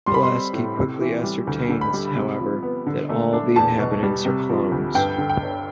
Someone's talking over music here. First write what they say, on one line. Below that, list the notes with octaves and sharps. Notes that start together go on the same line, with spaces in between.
Pulaski quickly ascertains, however, that all of the inhabitants are clones.
G3 C6
B5
C6
C4
A2
C3
E3
G3
D2
D3
B5
G3
C3
F3
B3
D3
A3
D4
E2 A5
B2
G3
C3
F3
D2
G2 G5
D3
G5
G1